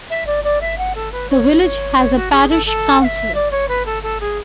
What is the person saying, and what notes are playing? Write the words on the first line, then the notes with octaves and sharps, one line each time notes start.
The village has a parish council.
E5
D5
D5
E5
F#5
A4
B4
C#5
C#5
C#5
F#4
G#4
A4
A4
F#5
E5
D5
C#5
B4
A4
A4
G#4